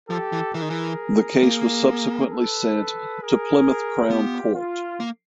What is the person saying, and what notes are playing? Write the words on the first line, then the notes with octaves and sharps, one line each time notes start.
The case was subsequently sent to Plymouth Crown Court.
F3 G4 A4
E3
E3 G#4 A#4
D#3
E3
A#3
A4 B4
G#4 A#4
B3 F4 G4
F4
A#3